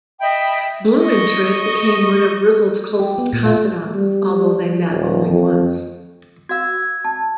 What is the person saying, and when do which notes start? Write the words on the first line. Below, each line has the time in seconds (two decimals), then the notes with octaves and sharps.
Blumentritt became one of Rizal's closest confidants although they met only once.
0.20 D#5 E5 G5 B5
1.04 D#5 C#6
2.99 G4
3.18 B3
3.33 A#2
3.45 F4
3.57 A3
3.95 G3
4.90 D#1
5.27 F2
6.49 F#4 F5 E6 G#6
6.83 G#6
7.05 A5